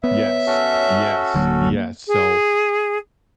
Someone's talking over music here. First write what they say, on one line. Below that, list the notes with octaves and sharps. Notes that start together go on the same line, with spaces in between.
yes, yes, yes, so,
B3 C#5 E5
C#4 F#4 A4
D1 D3 F#3 A#3
G#4